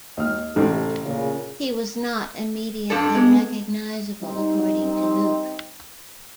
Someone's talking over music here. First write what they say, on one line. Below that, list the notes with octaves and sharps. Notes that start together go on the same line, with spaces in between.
He was not immediately recognizable, according to Luke.
D#2 F6
A1 C3 A4 C5
A#2 C#3
F2 D4 A4
G#3 B3
G3 C4 D#4